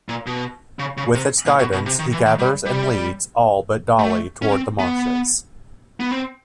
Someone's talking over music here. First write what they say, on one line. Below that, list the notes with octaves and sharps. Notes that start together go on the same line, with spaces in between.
With its guidance, he gathers and leads all but Doli toward the Marshes.
A#2
B2
C#3
C#3
C3
A#2
B2
B2
C3
D#3
E3
D#3
G3
G3
A3
C#4
C4
B3
B3
C4